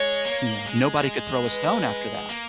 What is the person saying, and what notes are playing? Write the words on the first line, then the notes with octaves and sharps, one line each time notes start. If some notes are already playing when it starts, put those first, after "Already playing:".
you know? Nobody could throw a stone after that,
Already playing: G#3 C#5
A#3
G#3
B4
A#3